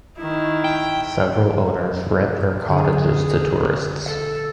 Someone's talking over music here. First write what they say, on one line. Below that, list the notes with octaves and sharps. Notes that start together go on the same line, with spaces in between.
Several owners rent their cottages to tourists.
D#3 E4
G5
D3 G#4
A4